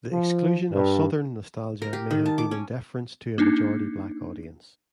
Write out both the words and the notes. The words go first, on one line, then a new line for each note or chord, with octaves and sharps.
The exclusion of southern nostalgia may have been in deference to a majority-black audience.
F3
G2
A#4
G4
D#3
A5
D6
C#4
A#3 D4 D#4